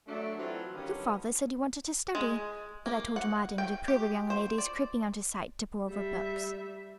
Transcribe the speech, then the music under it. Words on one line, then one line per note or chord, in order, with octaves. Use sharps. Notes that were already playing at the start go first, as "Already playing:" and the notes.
Your father said you wanted to study, but I told him I didn't approve of young ladies creeping out of sight to pore over books.
F#3 A3 D4
E3 F#3 C4 F4 A4
D3 D#3 G3 B3 C#4 F4
G#3
A#3
F#5
G5
G4
C5
D5
G3 E5